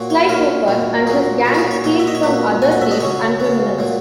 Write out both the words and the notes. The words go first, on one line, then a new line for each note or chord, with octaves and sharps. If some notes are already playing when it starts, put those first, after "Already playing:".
Sly Cooper and his gang steal from other thieves and criminals.
Already playing: A#2 F#3
C#5
A#2 F#3 A#4
A#2 F#3
A#2 F#3 G#4
A#2 F#3
F#4
G#4
C#5
A#2 F#3 C#5
E5
D#5
C#5
A#2 F#3 B4
A#2 F#3 G#5
F#5
E5
D#5
C#3 F#3 C#5
C#3 F#3
A#2 F#3